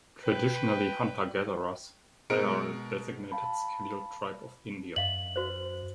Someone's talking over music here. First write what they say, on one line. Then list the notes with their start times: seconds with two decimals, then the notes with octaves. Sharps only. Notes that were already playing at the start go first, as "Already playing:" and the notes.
Traditionally hunter-gatherers, they are a designated Scheduled Tribe of India.
0.23 B4 G5
2.30 B2 G#3 A#4 C#7 D7
3.32 F5 A5 B5
4.96 F#2 D#5 F5 F#7
5.36 F#4 B4 C5